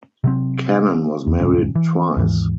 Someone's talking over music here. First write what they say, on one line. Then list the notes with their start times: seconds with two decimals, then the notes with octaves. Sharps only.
Cannon was married twice.
0.24 C3 F#3 C4
1.27 E2
1.41 D#1 C#2 G2 C#4
1.75 E3
2.17 D#2 G#2 E3